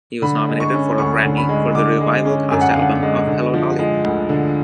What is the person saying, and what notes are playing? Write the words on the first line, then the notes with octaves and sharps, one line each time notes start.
He was nominated for a Grammy for the revival cast album of "Hello, Dolly!".
D3 B5
G#3
C#6
C#4
D2 C#6
D3
B5
G#3
D3 D6
G#3
C#4
F#2 G#5
F#5
F5
D3 F#5
G#3
D3
F3
G#3
D2
D3